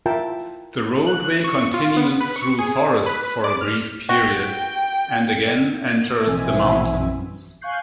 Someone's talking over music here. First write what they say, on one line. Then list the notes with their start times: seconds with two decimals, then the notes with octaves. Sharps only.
The roadway continues though forest for a brief period, and again enters the mountains.
0.06 E4 F4 A#4 E5 G5 A5
1.07 F#6
1.44 C#6
1.74 F4
1.97 B3
2.20 B4
2.36 C#6
2.59 G#4
3.06 B4
3.44 D5
3.61 F6
4.09 F#4 G5
6.26 A#1 B2 E3 C4 E5 G#5
7.61 F5 G#5 C#6 F#6 G6 C7